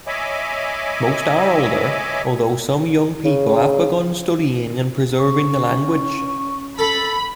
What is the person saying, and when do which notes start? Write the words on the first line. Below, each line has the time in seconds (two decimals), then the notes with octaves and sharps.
Most are older, although some young people have begun studying and preserving the language.
0.07 C#5 D#5 E5 G#5 B5 D6
3.25 C#3
5.18 C#4 C#6
6.79 A4 B5